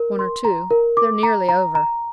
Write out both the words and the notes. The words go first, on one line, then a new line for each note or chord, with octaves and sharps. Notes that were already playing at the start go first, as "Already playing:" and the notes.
"One or two; they're nearly over."
Already playing: A#4
C6
A#5
A#4
D6
A#5
A#5
A#5